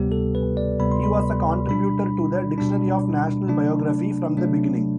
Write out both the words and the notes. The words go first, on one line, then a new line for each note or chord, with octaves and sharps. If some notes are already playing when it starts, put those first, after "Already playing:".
He was a contributor to the "Dictionary of National Biography" from the beginning.
Already playing: D2 C3 G3 B3 G4
A4
B4
D5
D2 C3 G3 B3 B5
C6
B5
B2 G3 D4 B5
B2 G3 D4
C3 F#3 A3 D4
C3 F#3 A3 D4